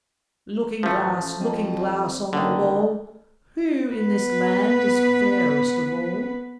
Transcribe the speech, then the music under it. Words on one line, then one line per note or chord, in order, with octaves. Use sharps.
"Looking-glass, Looking-glass, on the wall, Who in this land is fairest of all?"
A1 F3 A3
F2
F#1 D3 D#3
B3 B4